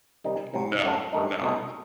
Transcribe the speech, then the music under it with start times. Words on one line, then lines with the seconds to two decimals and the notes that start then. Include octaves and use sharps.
No, no,
0.24 C3 D#3 G3 D#4
0.54 C2 C3 F#3
0.83 F#2 F#3 A3
1.13 G2 D#3 A3 D#4
1.42 C2 B2 A3 D#4